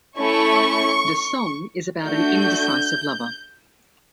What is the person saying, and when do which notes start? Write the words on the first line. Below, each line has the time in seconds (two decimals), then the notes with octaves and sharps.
The song is about an indecisive lover.
0.19 A3 C#4 E4 C#6
2.03 A3 D4 F#4 G6